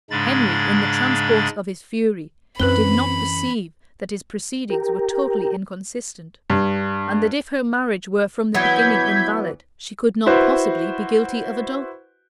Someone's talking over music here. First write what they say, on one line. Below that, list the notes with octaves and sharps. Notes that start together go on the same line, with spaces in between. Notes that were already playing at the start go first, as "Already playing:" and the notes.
Henry, in the transports of his fury, did not perceive that his proceedings were totally inconsistent, and that if her marriage were from the beginning invalid, she could not possibly be guilty of adultery.
G#2 C#3 G#3 D4 B5 A6
F#2 E3 C4 B4 B5 F#6 G7
G4 A#4
G2
E3 F#3 B3 G6 G#6 B6
E4 F#4 B4 C5